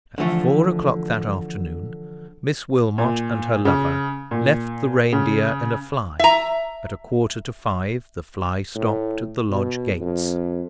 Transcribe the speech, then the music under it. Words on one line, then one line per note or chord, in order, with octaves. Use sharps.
At four o'clock that afternoon, Miss Wilmot and her lover left the Reindeer in a fly; at a quarter to five the fly stopped at the lodge-gates.
D3 E3 F3 A3
A#2
C#3
A#2
C#3
E5 A#5
A2
B2
F2